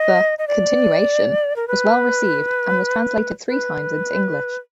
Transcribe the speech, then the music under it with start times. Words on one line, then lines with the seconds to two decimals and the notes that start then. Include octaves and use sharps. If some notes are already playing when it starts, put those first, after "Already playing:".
The "Continuation" was well received and was translated three times into English.
Already playing: D#5
0.39 D#5
0.48 D5
1.56 A#4
1.68 B4
3.49 B4